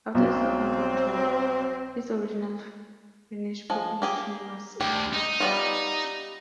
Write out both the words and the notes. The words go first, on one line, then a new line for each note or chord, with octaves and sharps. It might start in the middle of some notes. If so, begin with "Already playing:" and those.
After the Second World War, its original Finnish population was expelled.
B1 C4
F3 G#3
A#3 G4 G#4
D2 G4
D#4
G3 B3 F4